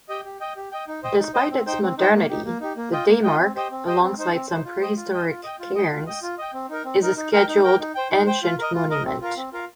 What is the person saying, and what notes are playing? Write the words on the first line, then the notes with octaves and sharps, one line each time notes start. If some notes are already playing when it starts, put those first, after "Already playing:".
Despite its modernity, the daymark, alongside some prehistoric cairns, is a Scheduled Ancient Monument.
G4 D#5 G5
G4
D#5 G5
G4
D#5 G5
D#4
C5 D#5 G5
D#4
C5 D#5 G5
C4
D#4 C5 G5
C4
D#4 C5 G5
A#3
D#4 G4
A#3
D#4 G4
A#3
F4 D#5 G5
A#3
F4 D#5 G5
C4
G4 C5 D#5 G5
C4
G4 C5 D#5 G5
C4
D#4 C5
C4
D#4 C5
F4
C5 D#5 G5
F4
C5 D#5 G5
F4
D#5 G5
F4
D#5 G5
F4
D#5 G5
F4
D#5 G5
C4
D#4 A#4
C4
D#4 A#4
D#4
A#4 G5
D#4
A#4 G5
D#4
C5 G5
D#4
C5 G5
F4
A#4 D#5
F4
A#4 D#5
C4
F4 A#4 F5
C4
F4 A#4 F5